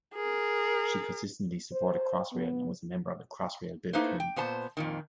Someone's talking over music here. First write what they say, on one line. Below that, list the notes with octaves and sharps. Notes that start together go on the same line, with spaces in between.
She consistently supported Crossrail and was a member of the Crossrail Bill Committee.
G#4 A#4
C5
B3
A3 A#3 D#4 E4 B4 C5
G5
A#2 B3 C5 A5
F2 A#2 D#3